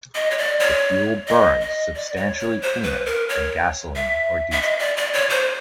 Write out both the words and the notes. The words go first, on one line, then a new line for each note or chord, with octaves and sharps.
The fuel burns substantially cleaner than gasoline or diesel.
D#5
C#5
D5
C#5
D#5
D#5
D5
C#5
C#5
C5
B4
A#4
C#5
E5
E5
D#5
D5
D5
C#5
C5